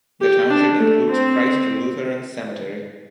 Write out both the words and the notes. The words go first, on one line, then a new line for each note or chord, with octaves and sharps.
The township includes Christ Lutheran Cemetery.
G4
D4
A3
C4